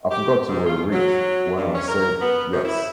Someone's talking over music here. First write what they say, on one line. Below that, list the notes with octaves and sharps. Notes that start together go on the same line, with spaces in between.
I forgot you were rich when I said 'Yes.'
G4
G#2
F4
F#3
G2
C#4
A#4
B3
F#2
E4